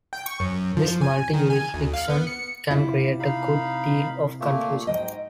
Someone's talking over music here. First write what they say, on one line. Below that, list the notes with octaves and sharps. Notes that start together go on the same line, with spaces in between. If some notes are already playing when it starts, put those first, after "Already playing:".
This multi-jurisdiction can create a good deal of confusion.
G5
C#6
F#2
F3
G#5
D#3
G#5
D2
F5
B3
C#7
C3 E4 F4
D#4 F5 B5
A#2 A3 A#3
G#2 D#5 G5